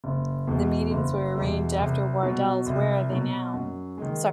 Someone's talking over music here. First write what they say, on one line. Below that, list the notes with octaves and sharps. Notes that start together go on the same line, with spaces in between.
The meetings were arranged after Wardell's 'Where Are They Now?
F#1
E2 B2 G#3
F#1
E2 B2 G#3
C2
B2 F#3
C2
B2 F#3
F#2
D#3 G#3